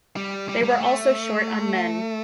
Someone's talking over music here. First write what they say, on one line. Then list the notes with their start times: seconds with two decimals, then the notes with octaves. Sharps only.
They were also short on men.
0.16 G3
0.49 G3
0.63 G3
0.71 G#3
0.80 A3